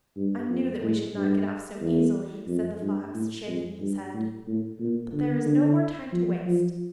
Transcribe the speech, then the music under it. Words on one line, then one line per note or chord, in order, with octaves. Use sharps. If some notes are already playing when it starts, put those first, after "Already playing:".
'I knew that we should not get off so easily,' said the fox, shaking his head; 'but there is no more time to waste.
G2
F2
A2
G2
E2
F2
G2
A2
F2
G2
A2
A2
A#2
D3
D3
F3
F3